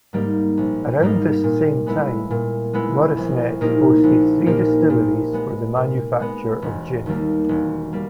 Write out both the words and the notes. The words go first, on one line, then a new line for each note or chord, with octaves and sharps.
Around this same time, Moresnet boasted three distilleries for the manufacture of gin.
G#2 G3 A#3 D#4
A#1
G#2 G3 A#3 D#4
A#2
G#3 B3 E4
A#2
G#3 B3 E4
A#1
A#2 A#3 D#4 G4
A#1
A#2 A#3 D#4 G4
A#2
G#3 B3
A#2
G#3 B3
E1
D#2 D#3 G3 A#3
E1
G3 A#3